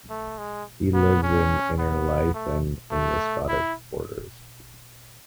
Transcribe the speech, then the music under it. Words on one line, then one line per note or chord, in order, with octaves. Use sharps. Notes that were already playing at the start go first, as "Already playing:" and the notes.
He lives in Innerleithen in the Scottish Borders.
A3
G#3
B3
C#4
B3
A3
A3
E4